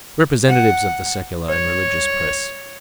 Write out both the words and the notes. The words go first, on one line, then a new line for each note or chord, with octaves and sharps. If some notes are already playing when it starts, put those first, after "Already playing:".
Representatives of the secular and religious press!
F#5
C#5